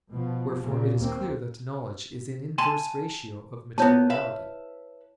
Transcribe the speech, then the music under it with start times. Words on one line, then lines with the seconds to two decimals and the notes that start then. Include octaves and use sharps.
Wherefore it is clear that knowledge is in inverse ratio of materiality.
0.10 B2 F3
0.63 A#2 C#3
0.99 D#2 A#3 C4
2.58 G#5 A5 C6
3.78 A#2 B3 E4 C#5 A5
4.10 B4 E5 F5